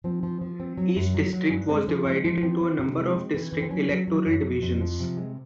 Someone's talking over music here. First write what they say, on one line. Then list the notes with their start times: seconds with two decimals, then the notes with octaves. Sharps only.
Each district was divided into a number of District Electoral Divisions.
0.04 F3 C4
0.23 F3
0.41 F3
0.60 C4
0.78 F#3
0.96 F#2
1.14 F#3
1.33 F#3
1.51 G2 C#4
1.69 G#3 C4 D4
1.88 F3 C#4
2.05 G#3 C4
2.25 F3
2.43 C4
2.61 C4
2.79 C3
2.98 G#3
3.16 C4
3.34 E3
3.53 E3
3.61 C4
3.71 F#3 C#4
3.89 F#3
4.08 F#3
4.26 F#2
4.43 F2
4.62 F2
4.81 F3
5.00 C3
5.17 G#3